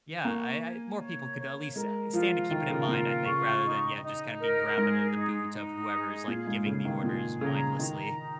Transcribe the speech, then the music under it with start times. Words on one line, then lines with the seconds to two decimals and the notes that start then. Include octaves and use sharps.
Yeah, I I more people could at least, uh, stand to keep it in mind, I think, rather than, yeah, just kinda being ground under the boot of whoever's, like, giving the orders mindlessly.
0.24 A#3 C#6
0.62 G#5
1.00 C#5
1.37 C#5
1.75 G#3 A#4
2.13 F3 F4
2.50 D#3 A#4
2.70 C#3
2.88 A#2 F4
3.26 C#3 C#6
3.64 D#4
4.02 D#4
4.39 A#4
4.78 G#2 G#4
5.16 D#4
5.53 D#4
5.91 G#4
6.28 A#2 F5
6.47 G#2
6.66 C#3 G#4
6.85 D#3
7.03 A#2 G#4
7.41 C#3 A#5
7.78 D#3 A#5
8.17 D#4